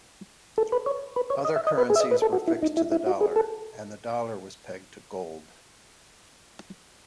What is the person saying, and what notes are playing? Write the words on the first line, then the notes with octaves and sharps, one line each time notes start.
Other currencies were fixed to the dollar, and the dollar was pegged to gold.
A4
B4
C#5
B4
C#5
D#5
E5
D#5
B4
G#4
E5
D#5
B4
A4
F#4
E4
D#4
E4
E4
F#4
G#4
A4